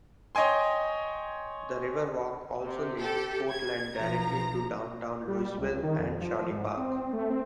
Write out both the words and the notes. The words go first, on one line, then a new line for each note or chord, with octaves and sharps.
The River Walk also links Portland directly to Downtown Louisville and Shawnee Park.
C#5 D#5 G5 G#5 C6
C3
G4 A4
G#6
B1 F3 A#5
G3
C#2
D#3
F2
F3
G#2
C4
A3
C4